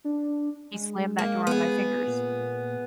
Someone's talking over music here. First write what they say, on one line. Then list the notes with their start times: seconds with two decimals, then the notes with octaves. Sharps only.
he slammed that door on my fingers,
0.04 D4
0.73 G#3
1.19 A#3
1.47 B3 G#4
2.07 A#2